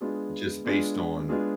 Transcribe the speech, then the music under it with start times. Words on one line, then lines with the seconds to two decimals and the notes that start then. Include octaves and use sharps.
just based on
0.01 G#3 B3 D4 F4 G#4
0.65 G#3 B3 D4 F4 G#4
1.29 G#3 B3 D4 F4 G#4